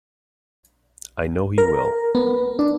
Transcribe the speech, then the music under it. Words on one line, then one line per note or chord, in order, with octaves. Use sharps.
I know he will!
A#4
B3
D4